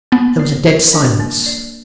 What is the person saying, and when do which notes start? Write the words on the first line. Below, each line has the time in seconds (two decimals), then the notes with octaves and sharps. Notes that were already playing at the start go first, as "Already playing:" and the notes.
There was a dead silence.
0.12 A#3 B3
0.39 D5
0.66 A#4
0.93 D4
1.20 A#3
1.46 D5